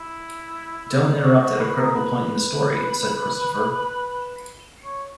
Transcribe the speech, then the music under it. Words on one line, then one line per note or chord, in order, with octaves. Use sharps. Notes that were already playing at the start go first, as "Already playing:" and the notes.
"Don't interrupt at a critical point in the story," said Christopher.
Already playing: E4
F#4
F#4
B4
A#4
B4
C#5